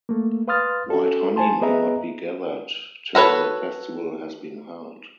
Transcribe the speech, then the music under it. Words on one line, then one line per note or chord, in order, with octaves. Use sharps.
Wild honey may not be gathered till the festival has been held.
A3 A#3
B4 F5 C6 D#6 F6 A6
C#4 F#4 A4
C5 G#5 A5 C6
B3 G#4 B4 D#5 E5 A#5
F#4 A4 B4 C#5